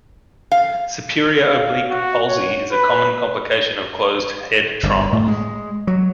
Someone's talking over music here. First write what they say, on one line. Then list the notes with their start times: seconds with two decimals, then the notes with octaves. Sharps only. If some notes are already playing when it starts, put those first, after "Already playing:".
Superior oblique palsy is a common complication of closed head trauma.
0.52 F5
1.46 F5
1.89 F#4
2.27 C#5
2.72 B4
4.83 G1
5.13 A2
5.28 G#3
5.87 F#3